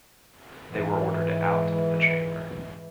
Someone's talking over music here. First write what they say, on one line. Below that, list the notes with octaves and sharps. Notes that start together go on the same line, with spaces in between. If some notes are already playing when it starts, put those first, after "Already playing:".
They were ordered out of the chamber.
G#2 E3